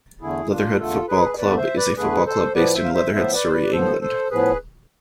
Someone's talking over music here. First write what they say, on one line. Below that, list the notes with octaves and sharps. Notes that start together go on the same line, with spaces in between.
Leatherhead Football Club is a football club based in Leatherhead, Surrey, England.
E2 D3 A3 E4 G#4
D4 F4
E2 D3 A3 F4 A4
G#4 B4
E2 D3 A3 B4 D5
C5 E5
B4 D5
E2 D3 A3 G#4 B4
A4 C5
A2 F3 B3 B4 D5
C5 E5
F5
C5 E5
A2 F3 B3 C5 E5
B4 D5
C5
B4 D5
A2 F3 B3 A4 C5
A4 C5
A2 F3 B3 G#4 B4